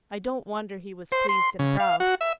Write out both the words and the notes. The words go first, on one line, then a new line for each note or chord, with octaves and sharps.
I don't wonder he was pleased and proud.
C5
C6
C#3
F5
F#4
E5